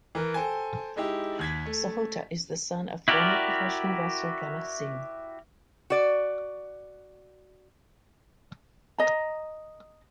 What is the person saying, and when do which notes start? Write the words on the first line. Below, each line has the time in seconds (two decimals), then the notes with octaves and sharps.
Sahota is the son of former professional wrestler Gama Singh.
0.15 E3 A#4
0.34 A4 C5 G5 G#5
0.96 G#3 D#4 E4 G4
1.39 D#2 G#6 B6
1.66 A3
3.08 E4 F#4 G4 A#4 D5
5.90 F#4 D5
8.98 D#5 A#5